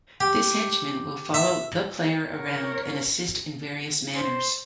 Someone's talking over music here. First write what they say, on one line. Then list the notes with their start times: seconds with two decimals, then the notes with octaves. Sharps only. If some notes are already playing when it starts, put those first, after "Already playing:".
This henchman will follow the player around and assist in various manners.
0.20 G4
1.34 E5
2.31 A#4 C#5
4.15 C5